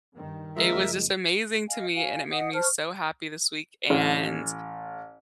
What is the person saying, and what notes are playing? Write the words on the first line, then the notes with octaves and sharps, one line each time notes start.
it was just amazing to me, and it made me so happy this week, and,
G2 D#3
F#1 F3 G#3 A#4 E5
D#5 F5 G#5
F#4 F5 G#5
D#5 F#5 D#6
C5 A5 C#6 F6
A1